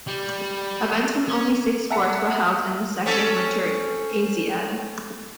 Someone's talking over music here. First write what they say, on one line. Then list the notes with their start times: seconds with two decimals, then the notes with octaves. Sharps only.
Events from only six sports were held in the Second Winter Asiad.
0.07 G3
1.29 C#4
1.90 E5 F#5 A5 A#5 C#7
3.06 C4 C#4 A4